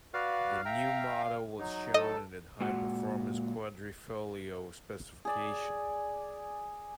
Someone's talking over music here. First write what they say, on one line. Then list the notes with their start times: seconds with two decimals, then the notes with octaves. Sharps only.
The new model was shown in the high-performance "Quadrifoglio" specification.
0.14 F#4 B4 D5 F5
0.65 E5 G5 A#5
1.59 F#3 D#4
1.94 A4 D#5
2.61 A#2 G#3 F#4 F#5
5.25 G#4 D5